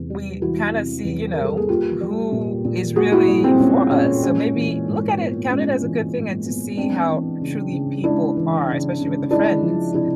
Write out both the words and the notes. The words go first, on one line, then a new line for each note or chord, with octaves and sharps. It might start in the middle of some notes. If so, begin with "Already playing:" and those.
we kinda see, you know, who is really for us, so maybe look at it count it as a good thing and to see how truly people are especially with the friends
Already playing: E2 C3
G3
E3 E4 F#4
C3
E2
G3 A#4
A4
G#4
A#3 F4 G4
G3
A#2
A#2
A#3 F#4 G#4
E4 F#4
G3
C4
A#2 C#4
A#2 C#4
G#3 C#4
E3
G#2
B3
G#3 C#4
E3
G#2
B3
G#3 C4 D4
E3
C#3
C#3
G#3 D4 E4
E3
C#3
C#3
G#3 D4 E4
F3
C3 D4 E4